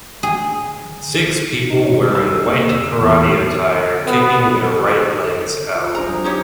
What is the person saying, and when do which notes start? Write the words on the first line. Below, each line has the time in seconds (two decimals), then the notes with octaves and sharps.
Six people wearing white karate attire kicking their right legs out.
0.23 G#4
1.70 D#4
1.82 C#5
2.15 E6
2.47 A#3
2.70 E7
2.99 E2
4.07 B3
5.75 F4
5.95 D4 G#4 C5 A#5
6.08 F#3
6.24 D#4 G4 C#5